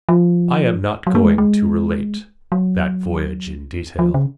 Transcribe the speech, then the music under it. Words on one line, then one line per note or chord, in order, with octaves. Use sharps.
I am not going to relate that voyage in detail.
F3
F#3
A#3
G#3
G#3
F#3
F3
C#3